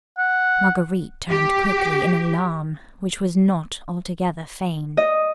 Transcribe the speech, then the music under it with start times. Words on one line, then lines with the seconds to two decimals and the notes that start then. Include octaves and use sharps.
Marguerite turned quickly, in alarm, which was not altogether feigned.
0.18 F#5
1.31 G4
4.97 D#5